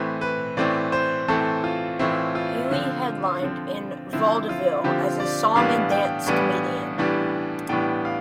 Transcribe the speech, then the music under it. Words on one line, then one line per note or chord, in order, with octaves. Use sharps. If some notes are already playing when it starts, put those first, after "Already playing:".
Haley headlined in vaudeville as a song-and-dance comedian.
Already playing: A2 E3 A3 C4 B4
B4
A2 E3 A3 C4 D5
C5
A2 E3 A3 C4 A4
F4
A2 E3 A3 C4 E4
F4
D3 F3 C4
D3 F3 C4
D3 F3 C4 E4
F4
D3 F3 C4 G4
D5
A2 E3 G3 B3 D4 F5
G5
A2 E3 G3 B3 D4
A2 E3 G3 B3 D4
A2 E3 G3 B3 D4 G5
F5